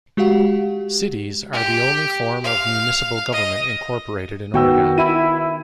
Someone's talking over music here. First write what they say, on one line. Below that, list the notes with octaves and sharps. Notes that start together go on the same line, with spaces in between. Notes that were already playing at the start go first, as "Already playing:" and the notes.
Cities are the only form of municipal government incorporated in Oregon.
G#3 F#4 G4 F5 F#5
G4
F5
D#5
D#3 B3 F#4 G5 E6
E4 D#7